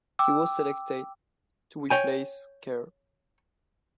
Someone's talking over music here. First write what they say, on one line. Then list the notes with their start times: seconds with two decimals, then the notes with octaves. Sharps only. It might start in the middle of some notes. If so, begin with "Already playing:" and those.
He was selected to replace Kher.
0.19 G5 D6 E6
1.90 C#5 G5 G#5